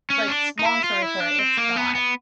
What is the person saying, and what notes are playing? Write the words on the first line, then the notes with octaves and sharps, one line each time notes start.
like s long story short, it's not
C#4
D4
D#4
E4
F4
E4
D4
C4
A#3
B3
B3